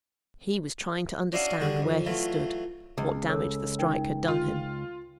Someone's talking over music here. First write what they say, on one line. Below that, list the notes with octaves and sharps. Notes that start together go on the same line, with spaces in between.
He was trying to understand where he stood; what damage the strike had done him.
C#4 D4 E4 F#4 F5
D3 G3 F#4 G#4
F2
E3 F#3 A3 F4
C#2
A4 C#5 E6
D#4 A#4 G5
F4